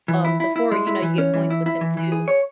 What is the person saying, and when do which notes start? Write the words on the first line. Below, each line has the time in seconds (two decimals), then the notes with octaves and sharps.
um, Sephora. You know, you get points with them too,
0.08 E3
0.25 E4
0.40 E4
0.56 E4
0.71 G#3
0.87 E4
1.02 E3
1.18 C#4
1.34 E3
1.50 E4
1.66 E4
1.81 E3
1.97 E3
2.12 G#4
2.28 C#5